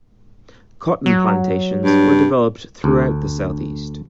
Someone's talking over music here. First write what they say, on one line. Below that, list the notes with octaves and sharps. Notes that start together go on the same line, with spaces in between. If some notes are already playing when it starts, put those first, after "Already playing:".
Cotton plantations were developed throughout the Southeast.
F#3
G2
D2